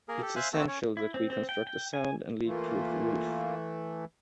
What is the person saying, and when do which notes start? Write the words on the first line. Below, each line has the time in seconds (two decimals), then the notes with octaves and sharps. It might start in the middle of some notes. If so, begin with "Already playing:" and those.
It's essential that we construct a sound and leakproof roof.
0.08 A#3 G#4 A#4
0.22 G4 A4
0.36 C5 E5 F5 G#5 F#6
0.53 A3 A#3 C4 F#4 A5 E6
0.68 C#4 C#5
0.97 E4
1.14 C4
1.30 C4
1.49 G5
1.67 G5
1.93 G#5
2.46 E3 A3 A#3 F4